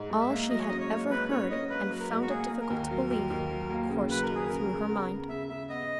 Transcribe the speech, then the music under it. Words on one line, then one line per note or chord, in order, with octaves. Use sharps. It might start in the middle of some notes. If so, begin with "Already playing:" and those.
All she had ever heard and found it difficult to believe, coursed through her mind.
Already playing: G#2
G#2
E5
A#3
F#3 D#5
C#5
C#4 D#5
C#5
A#3
G#2 B4
C#4 C#5
C#4 D#5
A#3 B4
F#3
A#4
G#2
F#4
A#3 G#4
A#3
A#4
D#2
F#3 A#4
D#2
D#2
F#3
A#3
C#3
F#3 B4
A#4
D#2
G#4
C#3 A#4
C#3
B3
C#3
C#3 E5
C#3 E5
B3 D#5